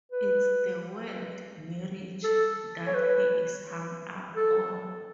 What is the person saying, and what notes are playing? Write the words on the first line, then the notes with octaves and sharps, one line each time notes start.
It's the word 'marriage' that he is hung up on.
B4
A4
C#5
B4
A4